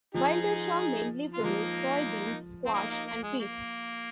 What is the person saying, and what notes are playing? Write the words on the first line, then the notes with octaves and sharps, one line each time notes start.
Bildershaw mainly produced soy beans, squash, and peas.
F3 D#4 G#4
F4
G#3
F3 A#3 D#4
C4
A#3 D#4
A#3 D#4
A#3
G#3
A#3